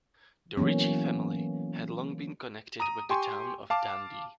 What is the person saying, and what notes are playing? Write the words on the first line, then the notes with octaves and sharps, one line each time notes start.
The Ritchie family had long been connected with the town of Dundee.
E3 F#3 A#3 B3 C#4
A#5 D#6 D#7
G4 G5 G#5 C6 C#6
F5 A5 D6